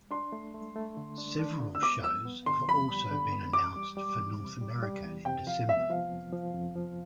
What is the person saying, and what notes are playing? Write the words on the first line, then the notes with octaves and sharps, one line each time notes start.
Several shows have also been announced for North America in December.
D4 C6
A3
A3
A3
D3
D4
D4
D3
E6
B3 D6
F2 E6
B3
D3 C6
F2 B5
G3
D3
B3
E2 D6
G3
G3
E2
C3
G3
G3
E2
C3 G5
F3 F5
B3 E5
F3 F5
F2
F3
F2
F3